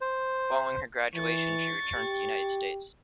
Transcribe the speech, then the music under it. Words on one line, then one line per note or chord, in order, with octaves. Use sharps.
Following her graduation, she returned to the United States.
C5
E3 C#6 A6
G4